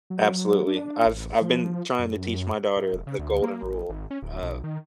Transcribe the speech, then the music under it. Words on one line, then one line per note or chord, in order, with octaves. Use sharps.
Absolutely. I've I've been trying to teach my daughter the golden rule. Uh,
F#3
D4
A1
F3
F#2
G#2
E1
C#3
D2
A#3
A1
G#1
C#4
D1
B1
D#3